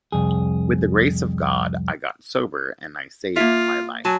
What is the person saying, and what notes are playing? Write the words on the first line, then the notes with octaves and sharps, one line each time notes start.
With the grace of God, I got sober and I saved my life.
C2 F2 G#4
A#3 F4 E5
F#3 G#5 A5